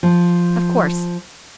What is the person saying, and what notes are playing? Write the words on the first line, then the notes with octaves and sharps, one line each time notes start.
"Of course."
F3